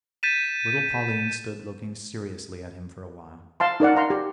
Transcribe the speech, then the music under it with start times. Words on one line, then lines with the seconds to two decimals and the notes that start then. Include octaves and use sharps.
Little Pauline stood looking seriously at him for a while.
0.23 G6 A6 B6 D#7 E7
3.60 F5 A5 C6
3.80 D#4 A#4 D5 F#5
3.95 F5 A#5 C6
4.10 G4